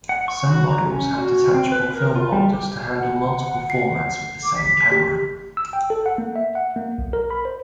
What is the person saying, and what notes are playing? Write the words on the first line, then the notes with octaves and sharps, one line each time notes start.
Some models have detachable film holders to handle multiple formats with the same camera.
F#5
C#6
F#4
A#5
C#4
F#4
C4
B4
A#4
F4
G3
G4
F#5
C7
D6
B6
G4
E6
G5
A4
F#5
A#3
E5
F#5
A#3
B1
A#4
B5
C5